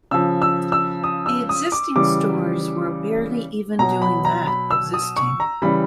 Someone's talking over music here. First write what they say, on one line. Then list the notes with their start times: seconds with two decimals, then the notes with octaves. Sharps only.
The existing stores were barely even doing that -- existing.
0.11 C#3 F3 E6
0.42 E6
0.72 E6
1.04 D#6
1.26 E6
1.49 D#6
1.72 D6
1.96 C#3 E3 G3 D6
3.79 B2 F#3 A#5
4.02 B5
4.25 A#5
4.47 B5
4.71 E6
4.94 D#6
5.16 C#6
5.40 A#5
5.62 C#3 E3 G3 B5